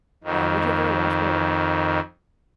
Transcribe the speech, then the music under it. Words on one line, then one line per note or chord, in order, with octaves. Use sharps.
rum, would you ever watch Below Deck?
F2 D#3